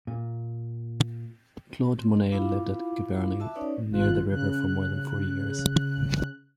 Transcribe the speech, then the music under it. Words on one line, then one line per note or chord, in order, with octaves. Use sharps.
Claude Monet lived at Giverny near the river for more than forty years.
A#2
C4
E4 F4 F5 B5 D6
F#4 E5 A5 D6 E6
C#4 D#4 B4 C#5 D5
G#1 G#2 B2 F4 F#6
C#3 F#6